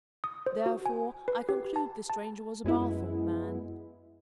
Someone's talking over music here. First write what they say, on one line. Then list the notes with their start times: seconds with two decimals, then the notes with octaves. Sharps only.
Therefore, I conclude this stranger was a Barthorpe man.
0.24 D#6
0.46 C5
0.66 F#4
0.86 G#5
1.28 B4
1.49 G4
1.76 A5
2.10 A5
2.64 F#2 G#3 B3 E4